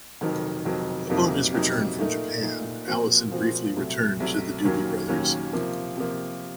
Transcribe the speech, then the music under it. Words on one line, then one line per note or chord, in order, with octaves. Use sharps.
Upon his return from Japan, Allison briefly returned to the Doobie Brothers.
F1 F2 D#3 F#3
F1 F2 D#3 F#3
F2 C3 F#3 A#3 D#4
F2 C3 F#3 A#3 D#4
A#2 A3 D#4 A#4
A#2 A3 D#4 A#4
A#2 F3 C4 F#4 A#4
A#2 F3 C4 F#4 A#4
C2 C3 F#3 A3
C2 C3 F#3 A3
D#2 D#3 F#3 A#3 C#4
D#2 D#3 F#3 A#3 C#4
C3 F3 A#3
C3 F3 A#3